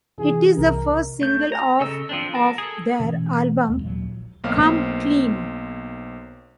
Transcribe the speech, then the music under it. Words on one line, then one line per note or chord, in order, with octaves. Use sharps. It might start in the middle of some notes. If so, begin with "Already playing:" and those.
It is the first single off of their album "Come Clean".
C3 E3 G#4
C2 A#4
A3 G6
A#5
C#3 A4 D#5 E6
F3 C4 D4
A#4 A5
G#4 A4
B2 E3 A3 C#4
D#2 G#3
D#1 A#1 A#2 F#3
B1 A#3 C4 F5 F6